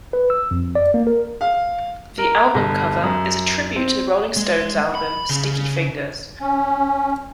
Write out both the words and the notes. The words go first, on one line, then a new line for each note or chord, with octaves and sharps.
The album cover is a tribute to The Rolling Stones' album "Sticky Fingers".
B4
E6
F2
D5
A#3
A#4
F5
A#4
G1
F#2
C4
G#3
B5
C#3
C#4